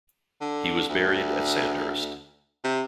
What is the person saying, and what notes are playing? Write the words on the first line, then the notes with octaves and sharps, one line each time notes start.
He was buried at Sandhurst.
D3
D2
C3